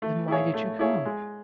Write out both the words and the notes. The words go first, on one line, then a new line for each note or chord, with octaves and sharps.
"Then why did you come?"
A3
E4 G#4 C#5
A3
E4 G#4 C#5
G#3